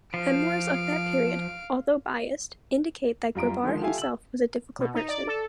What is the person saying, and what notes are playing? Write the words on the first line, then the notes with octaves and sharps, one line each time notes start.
Memoirs of the period, although biased, indicate that Grabar himself was a difficult person.
F3 F5 D7
F#2 G3 F4 A#5 D7
D3 D#3 F3 G#3
F4 G4 A4 E5 F5 G#5
E6 F#7
B2
D#4
D5
A4